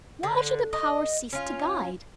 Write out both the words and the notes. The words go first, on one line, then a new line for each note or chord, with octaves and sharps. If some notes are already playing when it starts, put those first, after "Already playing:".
Why should the Power cease to guide?
D3
D#5
C#4 F4